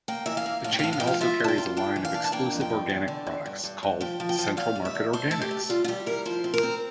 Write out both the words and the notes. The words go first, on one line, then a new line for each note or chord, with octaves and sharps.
The chain also carries a line of exclusive organic products called "Central Market Organics".
A#3 G5
E3 E5
F5
A#3
A2 F5
G5
F5
A2
F5
F3 G5
F5
F4 E5
E2 A5
G5
F4
D4 G5
E3
F5
D4
A5
A#3 G5
F2
G5
D3
E2
D3
E2
G2
G2
G2
F3 G5
F3
G5
F3
E2 F5
G3
E5
E2
A3 C5
A3 A4
G4
A3
G3 F4
F4
G3 G4
E4 A#4
F3 C5
C4
A#4
C4